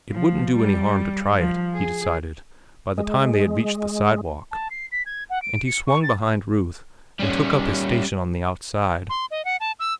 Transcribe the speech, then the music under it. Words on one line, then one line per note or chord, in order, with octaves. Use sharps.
It wouldn't do any harm to try it, he decided, by the time they had reached the sidewalk; and he swung behind Ruth and took up his station on the outside.
F3
G3
F3
G#4
G#3
A5
C7
B6
G#6
F#5
D7
C#7
C#6
A6
G3 C#4
C6
D#5
F#5
A5
E6